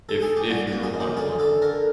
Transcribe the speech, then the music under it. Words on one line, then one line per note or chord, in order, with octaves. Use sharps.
if if you were wanting one.
A4
G#4
G4
G3 F#4
F#4
A#3
G#4
D#3
G4
D3 G#4
D3 A4
D3 A#4